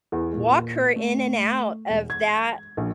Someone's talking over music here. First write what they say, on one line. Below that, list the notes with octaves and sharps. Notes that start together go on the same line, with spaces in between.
walk her in and out of that
E2
A#2
A3
E1
G#6
A#1